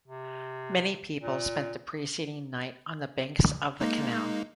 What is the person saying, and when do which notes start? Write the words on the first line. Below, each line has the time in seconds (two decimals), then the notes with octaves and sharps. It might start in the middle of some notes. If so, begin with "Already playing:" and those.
Many people spent the preceding night on the banks of the canal.
0.08 C3
1.21 A#2
3.81 G#3 A#3 D#4